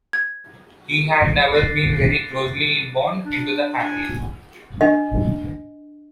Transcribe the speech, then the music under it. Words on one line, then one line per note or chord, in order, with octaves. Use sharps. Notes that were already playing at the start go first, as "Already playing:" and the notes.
He had never been very closely inbound into the family.
G#6
D6 F#6 A6 A#6 C7
D4
D4 G#5
D4 D#5